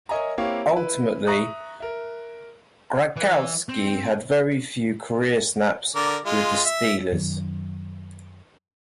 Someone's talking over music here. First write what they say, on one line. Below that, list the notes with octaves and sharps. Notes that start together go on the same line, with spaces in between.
Ultimately, Gradkowski had very few career snaps with the Steelers.
A#4 C#5 D#5 E5 G#5 A#5
A#3 C4 E4 G4 C#5 F5
E4 B4
E5 A#5 C#6 D#6 F#6
A#4 E5
E3
C4
D3 A#4 D5
G#3 F4
E5
F#2 D#3 F#3